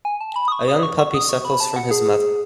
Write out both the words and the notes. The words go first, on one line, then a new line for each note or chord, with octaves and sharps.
A young puppy suckles from his mother.
G#5
A5
B5
D#6
C#6
D#6
C#6
C#6
D#6
C#6
B5
A5
F#5
G#4